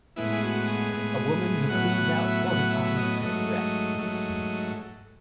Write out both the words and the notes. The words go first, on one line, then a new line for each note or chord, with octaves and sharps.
A woman who cleans out portapotties rests.
A2 G#3 B3 E4
G#4
F#4
G#4
A2 G#3 B3
A2 F#3 B3 F#5
F#5
E5
A2 F#3 B3 F#5
E5
D#5
G#2 F#3 A3 D#5
G#2 F#3 A3